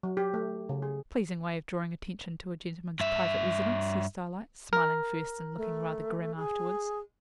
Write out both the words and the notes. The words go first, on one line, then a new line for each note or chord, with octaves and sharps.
'Pleasing way of drawing attention to a gentleman's private residence,' says Starlight, smiling first and looking rather grim afterwards.
F#3
G4
A3
C#3
G#4
G2 E5
A#4
A3
G#4